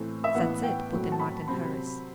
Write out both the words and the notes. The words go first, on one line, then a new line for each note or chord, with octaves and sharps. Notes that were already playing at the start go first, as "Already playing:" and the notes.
"That's it," put in Martin Harris.
Already playing: A2 E3 A3 C4
E5
A2 E3 B3 F#5
G5
A2 F#3 A3 C4
A5
B5
C3 F#3 C4 B5